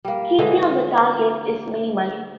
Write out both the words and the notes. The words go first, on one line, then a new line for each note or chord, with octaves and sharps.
Heating of the target is minimal.
G3 A#3
D3 E3 G#3